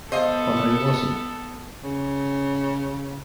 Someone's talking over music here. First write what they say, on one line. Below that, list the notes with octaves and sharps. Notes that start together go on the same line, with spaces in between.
But I wasn't.
B3 A4 C5 D#5 F5
C#3